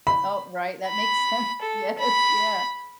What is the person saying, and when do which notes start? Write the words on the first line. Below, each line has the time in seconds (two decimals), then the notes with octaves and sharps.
Oh, right, that makes sense, yes, yeah.
0.07 B5
0.87 B5
1.62 A4
1.99 B5